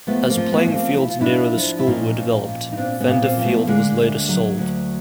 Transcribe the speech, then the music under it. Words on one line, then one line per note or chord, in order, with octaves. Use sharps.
As playing fields nearer the school were developed, Fender Field was later sold.
F3 A3 B3
A#3 C4
F3
A3 B3
F3 C#4
A#3 C4
F3 E4
F4
D4 E4
F3
F3
E4
A#2 C#4 D#4
F3
A#2
D#4
A#2 C4 D4
B3 C#4
A#2
A#3 C4
F3
A3 B3
D3 G#3 A#3
D2
F#3
D2